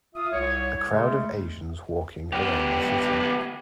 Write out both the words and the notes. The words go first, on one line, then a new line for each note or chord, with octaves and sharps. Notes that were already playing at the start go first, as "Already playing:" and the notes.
A crowd of asians walking around the city.
F4 E5 D#6
C2 C#5
C#3 G#3 A3
B3 G4